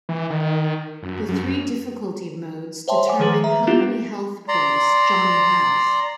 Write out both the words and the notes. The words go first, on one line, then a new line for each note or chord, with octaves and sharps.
The three difficulty modes determine how many health points Johnny has.
E3
D#3
F#2
F#2
C5 C#5 E5 G5 A5 C6
F#5 G#5 D6
D#3 F3 G#4 B4 A6 F#7
E5 A#5
G3 B3 D4 E4 F4 G4
D5 A#5 C6